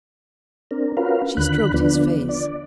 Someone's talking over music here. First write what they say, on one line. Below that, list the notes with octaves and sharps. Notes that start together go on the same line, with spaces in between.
She stroked his face.
C4 D4 A#4
C#4 F4 F#4 A#4 B4 F5
D#2 D3 B5 F#6
D3 F3 B3 D4
D5